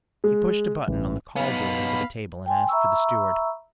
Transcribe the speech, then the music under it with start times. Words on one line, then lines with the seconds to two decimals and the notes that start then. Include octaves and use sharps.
He pushed a button on the call board over the table and asked for the steward.
0.24 G#3
0.88 A1
1.36 B3 D#4 F5 B5
2.46 G5 G#5 C6
2.69 E5 A#5 B5 C#6 E6